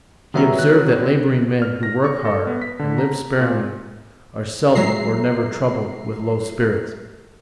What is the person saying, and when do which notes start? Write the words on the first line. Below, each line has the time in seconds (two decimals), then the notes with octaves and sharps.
He observed, that labouring men who work hard, and live sparingly, are seldom or never troubled with low spirits.
0.34 D#3 F#3 G3 B3 E5 A#5
0.59 F#6
1.62 F6
1.83 A#6
2.04 C#6
2.25 A4
2.47 B3
2.62 B6
2.79 D3
2.98 A#5
3.41 A#2
4.75 A#2 F#3 G#3 E5 A#5 C7